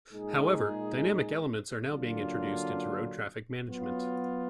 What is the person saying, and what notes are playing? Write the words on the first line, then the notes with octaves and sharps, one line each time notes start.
However, dynamic elements are now being introduced into road traffic management.
A#2 G#3 D#4 G#4
D3 F#3 A#3 D4 F4
F#3 B3 F4